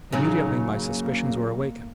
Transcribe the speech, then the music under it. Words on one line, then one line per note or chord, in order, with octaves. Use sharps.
Immediately my suspicions were awakened.
A2 C#3 F#3 D#4
A#3